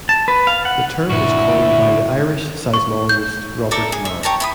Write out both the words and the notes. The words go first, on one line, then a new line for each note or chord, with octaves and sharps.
The term was coined by the Irish seismologist Robert Mallet.
A5
B4
F5
F#5
D2 G2 A#2 E4 F#4 C#6
C#6
G6
A4 D5 E5 A#5
G#4
E5
G4 C#5 A5 A#5
E4 B5 D#6